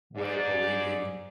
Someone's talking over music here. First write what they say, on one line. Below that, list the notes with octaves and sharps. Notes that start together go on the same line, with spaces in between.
way of believing,
G#2 D5